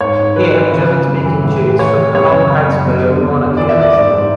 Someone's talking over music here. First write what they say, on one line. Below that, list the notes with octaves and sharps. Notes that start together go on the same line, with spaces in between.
Here German-speaking Jews from the whole Habsburg Monarchy are listed.
G#2 C#5
G#2
E3 B4
E3
C#3 B4
C#3
F#2
E3
A2
E3
E3 C#5
E3
F#2 C#5
C#3
C#3
F#2
E2
D3
E2
D3
E3 D5
E5
E3
D5
G#2 D5
G#2